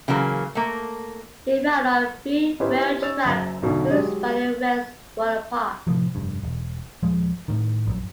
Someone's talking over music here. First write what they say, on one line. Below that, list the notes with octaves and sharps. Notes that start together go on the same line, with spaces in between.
It ran on three-rail track whose running rails were apart.
C#3 E3 F#3 A#3
A3 A#3
C#4 D#4 E4 G4 B4 C5
C#4 C#5 E6 A6 F7
F#1 F#2
B1 F#2 B2 D3
F#3 G#3 G4 D#5
A2 C3 F3 F#3
F1 G2
E1
D#1 F3 G#3
A2 D#3
A#1 F#2